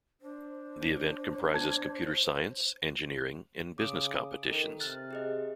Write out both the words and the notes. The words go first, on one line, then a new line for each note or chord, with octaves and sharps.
The event comprises computer science, engineering and business competitions.
D4 C5
A5 G#6
C#3 D6 D#6 D7
D#3 A4 A#4
C3 F6 F#6 A6
G4 G#4 D#5